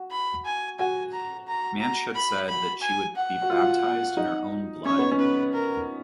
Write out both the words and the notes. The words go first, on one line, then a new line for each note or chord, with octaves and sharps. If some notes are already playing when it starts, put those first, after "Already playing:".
Manche had said that she would be baptized in her own blood.
Already playing: F#4
B5
G#5
F#4 G#5
A#5
A#5
A#5
B5
B5
G#5
F#5
F#4
F4
D#4
C#4 C#5
B3
C#4
B4
A#4